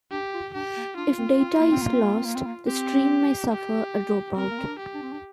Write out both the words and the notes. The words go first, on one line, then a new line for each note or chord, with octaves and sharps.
If data is lost, the stream may suffer a dropout.
D4 G4
F4
D4 G4
A#3
D4 F4
C4
C4
A#3
C4
A#3
C4
A#3
C4
A#3
C4
A#3
C4 G4
G4
C4 A#4
A#3
C4
D4
G4
D4
C4
D4